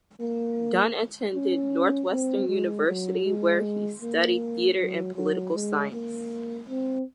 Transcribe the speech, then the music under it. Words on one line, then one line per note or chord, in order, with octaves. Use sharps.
Dunn attended Northwestern University, where he studied theatre and political science.
A#3
C#4
C4
G#3
F#3
G#3
A#3
F#3
F#3
G#3
A#3
C4